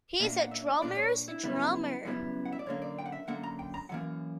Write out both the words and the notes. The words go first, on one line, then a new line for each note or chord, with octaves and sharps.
He's a drummer's drummer.
A#2 A#3 D4 E5
F#5
E5
D5
A#2 A#3 D4 D5
C#5
E4
F#2 C#3 G3 B3 E4
F#2 C#3 G3 B3 E4
F#5
E5
D5
F#2 D3 A#3 C#5
D5
G5
F#5
E5
F#2 D3 A#3 F#5
A#5
G5
A#5
F#2 E3 A#3 F#5